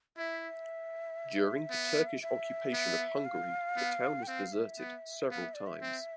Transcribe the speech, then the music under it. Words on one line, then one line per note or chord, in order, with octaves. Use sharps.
During the Turkish occupation of Hungary the town was deserted several times.
E4 E5
B3
E5
B3
F5
B3
G5
C4 F5
E5
B3
B3 F5
E5
D5
E5
C4